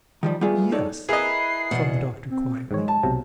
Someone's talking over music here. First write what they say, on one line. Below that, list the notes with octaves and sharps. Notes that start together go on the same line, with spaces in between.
"Yes," from the doctor, quietly.
D#3 F3 G3
G3 A3 B3 F4 G#4
G2 D#4 A4 C#5 D5
E4 G#4 A#4 B4 D#5 C7
E2 B2 F#5
C4
G#2 D#3 G#3 C#5
A5
B1 C3 F#3